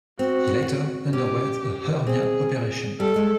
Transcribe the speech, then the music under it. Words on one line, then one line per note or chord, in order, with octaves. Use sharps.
He later underwent a hernia operation.
C4 F#4
C#4 G4
C4 G#4
G3 A4
G#3